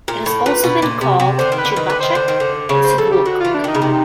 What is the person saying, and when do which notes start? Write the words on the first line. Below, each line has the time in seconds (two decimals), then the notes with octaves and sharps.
It has also been called "Chibuchack" and "Sevuokok".
0.08 A#2
0.26 A2
0.46 A#2 B4
0.63 B2
0.82 A#2
1.01 C3
1.20 C3
1.38 D3 C5
1.52 D#3
1.58 B4
1.65 D3
1.72 D#3 B4
1.86 D3 B4
2.00 D#3 C5
2.15 D3
2.28 D#3
2.40 D3
2.69 C#3 C#5
2.84 C5
2.98 C#3 A4
3.12 G4
3.26 D3 F#4
3.40 E3 F4
3.54 D4
3.64 D#3 D#4
3.75 C#3
3.82 C3